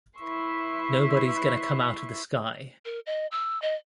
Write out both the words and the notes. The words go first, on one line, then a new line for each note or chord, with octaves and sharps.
Nobody's gonna come out of the sky!
E4 B4 E5 C6 C#6
A#4
D#5
E6
D#5